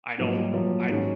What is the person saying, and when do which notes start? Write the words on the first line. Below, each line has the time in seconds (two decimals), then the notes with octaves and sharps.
I know, I
0.18 G#2 F3 F#3 A#3 D#4
0.36 G3
0.53 A#2 F3 F#3 A#3
0.89 G#2 D#3 F#3 G#3 C#4